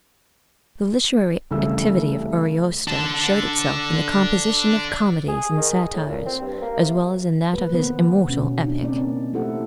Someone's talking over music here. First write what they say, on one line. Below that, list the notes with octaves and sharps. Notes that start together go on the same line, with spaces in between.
The literary activity of Ariosto showed itself in the composition of comedies and satires, as well as in that of his immortal epic.
C2 C#3 E3 A3 E5 E6
D4 A4
G#4
D#3
G#4
A2
A#2
C4
G2
A#3
C3
A#3 B4
D#3 G#3 B3 B4 C5
B2 C#4
D4 D#4
A#3 C4 C#4 D#4 D5
A3 E4 G4 A4 C5 F#5